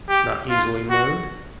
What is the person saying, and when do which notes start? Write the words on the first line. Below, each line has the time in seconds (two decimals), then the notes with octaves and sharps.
"Not easily moved?"
0.09 G4
0.50 F4
0.90 F#4